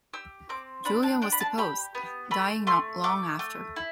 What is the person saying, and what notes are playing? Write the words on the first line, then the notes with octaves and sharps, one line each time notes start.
Julian was deposed, dying not long after.
G4 E6
C4 D6
D4 B5
A5
D4 G5
B5
A5
G4 B5
B3
A3 B5
A3 C6
A3 D6
A3
E4